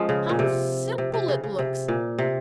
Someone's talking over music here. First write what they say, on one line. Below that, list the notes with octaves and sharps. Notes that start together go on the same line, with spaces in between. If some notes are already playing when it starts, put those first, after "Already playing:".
How simple it looks!
Already playing: F3 G#3 C#4
C#3
A#2
C3
C3
C3
C#3
C#3
C3
A#2
C3